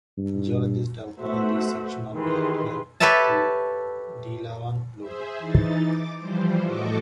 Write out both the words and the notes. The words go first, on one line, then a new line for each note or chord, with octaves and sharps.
Geologists have called this section of the glacier "the Delavan lobe".
G2
A3 B3 F#4 C5 E5 F#5
D#3 E3 G4 G#4 B4 C6
G4 A4 B4 C#5 E5 A5
G#4 C5 E5
E3 D#4 A6
D6
E3 F3 G3 C5
A2 F#4 A4 D#5 C#6 D6